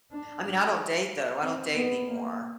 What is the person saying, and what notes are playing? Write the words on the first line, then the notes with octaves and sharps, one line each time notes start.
I mean, I don't date, though, I don't date anymore.
D4
C4
B3
A#3